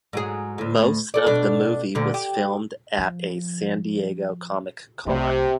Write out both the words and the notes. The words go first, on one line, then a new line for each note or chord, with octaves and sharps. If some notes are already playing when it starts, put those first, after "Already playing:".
Most of the movie was filmed at a San Diego Comic-Con.
G#2 F#3 G#4
D2 A2
A4 D5
B2 D4
D2 A#2 D3
G4
F3
C2 C3 A3